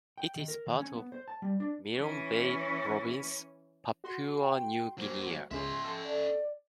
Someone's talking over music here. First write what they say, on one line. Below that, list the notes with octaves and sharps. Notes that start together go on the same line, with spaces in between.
It is part of Milne Bay Province, Papua New Guinea.
G5
D#3
A#4
D#3
C#4
B3
C5
A5
G3
D4
E3 C#4
F#4 C6
G5
F#3 A#3 C5
C#2 C#3 C#4 E5 C6
A4
D5